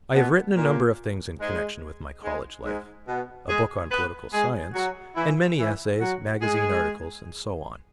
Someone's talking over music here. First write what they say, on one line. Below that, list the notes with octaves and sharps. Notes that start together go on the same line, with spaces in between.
I have written a number of things in connection with my college life--a book on Political Science, and many essays, magazine articles, and so on.
B2 B3
A#2 A#3
G#2 G#3
G#2 G#3
G#2 G#3
B2 B3
G#3 G#4
B3 B4
G#3 G#4
F#3 F#4
E3 E4
E3 E4
F#3 F#4
G#3 G#4